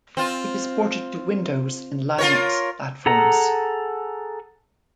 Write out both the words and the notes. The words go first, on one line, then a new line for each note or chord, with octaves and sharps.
It is ported to Windows and Linux platforms.
C4 F4
F4 A#4 C#5
G#4 A4 F#5 A#5